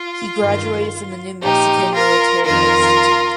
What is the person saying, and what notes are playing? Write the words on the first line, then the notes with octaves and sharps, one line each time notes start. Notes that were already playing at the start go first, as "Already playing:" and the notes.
He graduated from the New Mexico Military Institute.
Already playing: F4
G2 D#3
A#2 F3 D#4 G4
F4 A#4
F2 D#3 F4 A#4